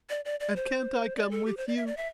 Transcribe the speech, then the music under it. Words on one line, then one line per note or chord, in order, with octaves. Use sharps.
"And can't I come with you?"
D5
D5
D5
C5
D5
A4
G4
C5
D5
E5
D5
E5